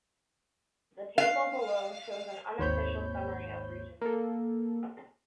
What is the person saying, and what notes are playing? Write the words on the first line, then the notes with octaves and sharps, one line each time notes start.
The table below shows an unofficial summary of regions.
F5
G#1 D#2 C5 C#5 B5 G6
A#3 A4